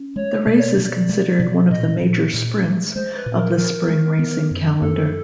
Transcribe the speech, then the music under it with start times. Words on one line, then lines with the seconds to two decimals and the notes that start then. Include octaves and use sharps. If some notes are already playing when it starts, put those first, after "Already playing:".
The race is considered one of the major sprints of the spring racing calendar.
Already playing: C#4
0.16 G#3 C#5
0.46 B2 D5
0.59 C#5
0.72 D5
0.77 B2
1.09 G#3
1.39 B2
1.71 A#2 D#5
2.02 A#2
2.34 A#2
2.64 G#3
2.95 G#3 C5
3.16 B4
3.26 A#2
3.37 A#4
3.58 F3 A#4
3.88 G#3
4.19 B3
4.51 F#2
4.81 F#2 A4